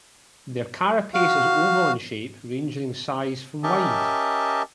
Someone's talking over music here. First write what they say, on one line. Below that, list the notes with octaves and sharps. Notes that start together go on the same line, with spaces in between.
Their carapace is oval in shape, ranging in size from wide.
F#4 F5
C#4 G4 A#4 D#5 E5 A5